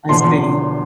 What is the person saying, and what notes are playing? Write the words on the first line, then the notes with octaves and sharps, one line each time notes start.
I see.
E1 E2 D3 F3 C6